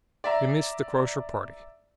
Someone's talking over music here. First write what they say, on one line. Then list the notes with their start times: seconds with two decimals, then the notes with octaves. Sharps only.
We miss the Crozier Party.
0.24 D5 E5 A#5